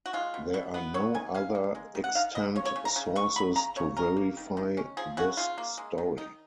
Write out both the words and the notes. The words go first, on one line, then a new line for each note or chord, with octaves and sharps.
There are no other extant sources to verify this story.
F#4
G#3 F4
B2
B2
B3
F#3 C#5
D#3 G#5
C#4 F5
A#3
G#3
D#3
F#5
D#3 F5
B3 D#5
F3 C#5
C#5
C#3
A#5
C#3
B3 C#6
F#3 B5
C#3 A#5
C#3 C#5
C#4 A#4
A#3
D#3
D#3
C#4
F3 G#4
C#3 F#4
C#3 F4
A#3
G#3
D#3
D#3 D#4